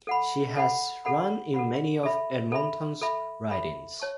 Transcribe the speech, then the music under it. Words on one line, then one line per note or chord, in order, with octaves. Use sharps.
She has run in many of Edmonton's ridings.
A4 F#5 B5
A4 F#5 B5
A4 F#5 B5
A4 F#5 B5
A4 E5 B5
A4 E5 B5
A4 E5 B5
A4 E5 B5
C#5 A5 C#6